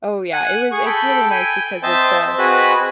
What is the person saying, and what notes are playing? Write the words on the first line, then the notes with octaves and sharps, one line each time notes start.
Oh, yeah. It was it's really nice because it's, uh,
F#5 G#5
G#4 C#6
A4 G5 B5
G5 G#5
C4 C5 D#5 E5 A5
C4 F#4 G#4 B4 D#5 B5